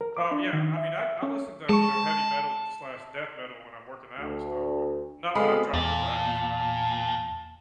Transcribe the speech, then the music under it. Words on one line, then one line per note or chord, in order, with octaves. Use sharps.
Oh, yeah. I mean, I d I listen to, you know, heavy metal, d slash death metal when I'm working out and stuff, but not when I'm trying to relax.
A#4
D6
D4
D#3
E5
E5
C#4
G#3 A5 C#6
D2
C#2 B2 G#3 B3 C4 A4 F5 B5
E2 A#2 F5 A5